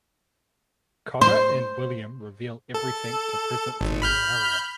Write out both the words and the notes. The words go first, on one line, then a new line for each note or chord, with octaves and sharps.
Connor and William reveal everything to Present Team Arrow.
C5
A4
G#1
B5 F6 G6